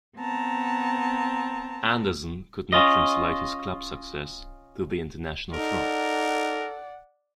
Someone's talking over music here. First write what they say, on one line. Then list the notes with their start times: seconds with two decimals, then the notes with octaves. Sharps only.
Anderson could not translate his club success to the international front.
0.18 B3 C4 A5 A#5
2.73 C#4 F4 D#5
5.54 D#4 A4 A#4 D5 F#5